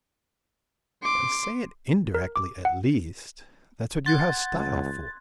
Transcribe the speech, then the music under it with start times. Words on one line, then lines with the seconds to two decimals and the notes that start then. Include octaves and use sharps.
Say it indirectly, at least; that's what you have style for.
1.03 C6 D6
2.15 A#4
2.36 D6
2.65 F#5
4.06 F#5 C6 F#6 G#6 A6
4.54 C#2